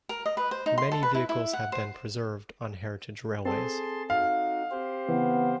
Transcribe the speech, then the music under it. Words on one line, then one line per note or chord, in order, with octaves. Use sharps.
Many vehicles have been preserved on heritage railways.
A#4
D#5
B4
C5
D#4
C6
A4
B4
E4
E4
F#5
C5
C4 G#4 A4 A5 C6
D#4 F#4 F5
C4 G4 C5
C#3 E3 B3